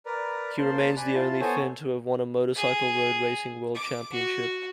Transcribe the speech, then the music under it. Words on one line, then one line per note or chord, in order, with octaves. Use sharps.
He remains the only Finn to have won a motorcycle road racing world championship.
A#4 B4 D5 A#5
A#3 C5 A5 C6
D5 G#5 B5 F#6
E4 F4 A5 C6
B3 A4 C5 C#5 G#5
G#4
D6
F#4